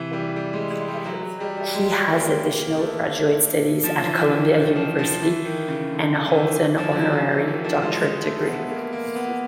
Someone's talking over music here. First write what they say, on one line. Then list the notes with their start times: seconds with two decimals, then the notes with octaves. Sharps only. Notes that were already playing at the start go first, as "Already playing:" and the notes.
He has additional graduate studies at Columbia University and holds an honorary doctorate degree.
Already playing: C3 E3
0.13 G3
0.36 G3
0.53 G#3
0.70 G#3
0.88 G3
1.06 F#3
1.23 F#3
1.40 G3
1.58 G3
1.75 G#3
2.09 A#3
2.44 A#3
2.78 A3
3.83 F3
4.06 E3
4.29 D#3
4.52 D#3
4.76 F3
4.99 F3
5.22 E3
5.45 D#3
5.68 C#3
5.91 D3
6.15 C#3
6.28 E3
6.38 D#3
6.78 F3
6.91 F3
6.96 F#3
7.13 F3
7.31 E3
7.48 D#3
7.64 F3
7.82 G#3
8.00 G#3
8.23 A3
8.46 B3
8.69 A#3
8.93 A#3
9.15 B3